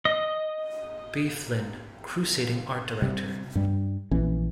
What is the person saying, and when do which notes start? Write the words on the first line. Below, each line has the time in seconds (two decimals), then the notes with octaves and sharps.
B. Flynn, crusading art director.
0.05 D#5
3.02 C3 G3
3.55 G2 G3
4.11 A#1 E3 C#4